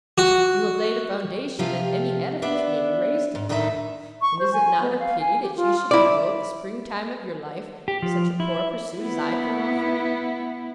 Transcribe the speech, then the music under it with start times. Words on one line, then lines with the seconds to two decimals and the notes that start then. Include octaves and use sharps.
You have laid a foundation that any edifice may be raised upon; and is it not a pity that you should devote the spring-time of your life to such a poor pursuit as I can offer?'
0.18 F#4
1.59 C3 F3 F4 G4 F5
2.42 B3 D4 E5
3.35 G#2
3.49 D2 A2 D#3 D#4 G#4 E5
4.21 C#6
4.39 C5
4.53 G#5
4.81 B3
5.00 F5
5.20 G#5
5.42 G4
5.56 F4
5.91 E4 D5
7.88 G4
8.02 F3
8.40 E4
8.97 B3 E4